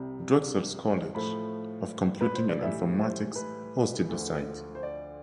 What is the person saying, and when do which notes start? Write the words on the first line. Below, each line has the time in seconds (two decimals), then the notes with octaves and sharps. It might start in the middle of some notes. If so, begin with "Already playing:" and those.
Drexel's College of Computing and Informatics hosted the site.
Already playing: C2 C3 G3
1.15 A2 F3 A3 B5
2.21 B4
2.35 C5
2.49 D5
2.62 A2 E3 G3 E5
2.99 C5
3.36 B4
4.09 D2 D3 F3 A3
4.75 C5
4.83 D5